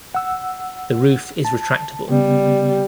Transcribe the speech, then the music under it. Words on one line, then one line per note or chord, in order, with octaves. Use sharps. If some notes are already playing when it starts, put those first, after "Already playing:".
The roof is retractable.
F#5 E6
A5
C#3 G3 B3